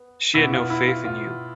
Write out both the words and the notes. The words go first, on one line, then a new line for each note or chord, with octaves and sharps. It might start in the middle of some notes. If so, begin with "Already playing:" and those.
She had no faith in you.
Already playing: B3
B2 B3 E4
F4
E4
F4
F4